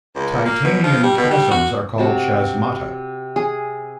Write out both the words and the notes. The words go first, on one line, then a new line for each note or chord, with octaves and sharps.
Titanian chasms are called chasmata.
C#2
A#3
B2
F3
G3
B2
G3
F#4
C3 F#4 A5
G#4